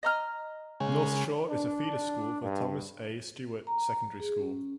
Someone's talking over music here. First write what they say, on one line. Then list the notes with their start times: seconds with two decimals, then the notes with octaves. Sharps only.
North Shore is a feeder school for Thomas A. Stewart Secondary School.
0.03 D#5 A#5 F6
0.80 C#3 G#3
1.48 D4
2.41 G2
3.67 A#5
4.20 G#4
4.39 C#4